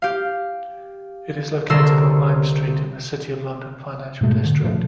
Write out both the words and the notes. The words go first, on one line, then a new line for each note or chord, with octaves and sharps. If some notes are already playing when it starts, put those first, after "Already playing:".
It is located on Lime Street in the City of London financial district.
G4 F5
C2 D3 A4 A#4 E6 C7
G#2 B2 G#3 A3
D3
A#2 C#3 F3 A3